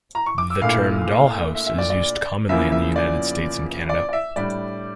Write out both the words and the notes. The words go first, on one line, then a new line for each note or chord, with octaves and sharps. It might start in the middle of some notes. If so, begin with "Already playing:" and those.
The term "dollhouse" is used commonly in the United States and Canada.
A#5
C#6
D6
E6
A#1 A#2 A3 E4 F5
E5
E5
D5
D5
E2 C#3 F3 A#3 E4 E5
E5
D5
D5
D5
E5
A2 G3 D4 D5